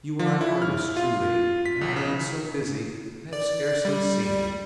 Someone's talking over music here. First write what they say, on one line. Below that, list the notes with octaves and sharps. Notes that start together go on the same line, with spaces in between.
You are an artist, truly, and I have been so busy I have scarcely seen it.
F3
E4
F6
F4
B6
B1
C#3
D5
G3